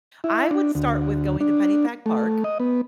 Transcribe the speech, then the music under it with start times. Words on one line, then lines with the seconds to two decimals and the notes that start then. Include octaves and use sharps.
I would start with going to Pennypack Park,
0.24 E4
0.51 D4
0.75 D2
1.41 D4
2.06 A3
2.44 D#5
2.60 B3